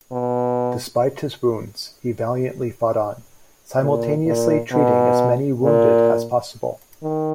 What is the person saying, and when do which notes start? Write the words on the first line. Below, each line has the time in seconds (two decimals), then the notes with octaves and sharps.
Despite his wounds, he valiantly fought on, simultaneously treating as many wounded as possible.
0.12 B2
3.80 A#2
4.26 A#2
4.72 B2
5.64 A#2
7.03 D#3